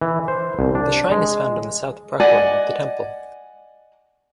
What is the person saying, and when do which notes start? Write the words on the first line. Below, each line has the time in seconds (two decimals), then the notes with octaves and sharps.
The shrine is found in the south Prakaram of the temple.
0.01 E3
0.28 C5
0.59 C2
0.75 D4
1.12 G#3
2.20 D5 D#5 F#5 G#5